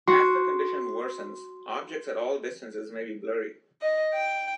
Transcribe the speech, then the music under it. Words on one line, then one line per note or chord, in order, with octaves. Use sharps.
As the condition worsens, objects at all distances may be blurry.
F#4 C6
D#5
G5